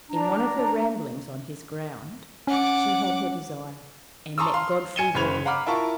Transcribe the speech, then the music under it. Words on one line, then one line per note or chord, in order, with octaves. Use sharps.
In one of her rambles on his ground she had her desire, and met Godfrey Wardour.
D4 A#5
C#4 F#5 D6
A5 A#5 C6 C#6 D#6 E6
F5 C6
G#5 G#6 C#7 D#7 E7 G7
F#1 C#3 C5 B5 G#6 F7
F5 F#5 A#5 B5 D6 F6
E4 F4 A#4 A5 C#6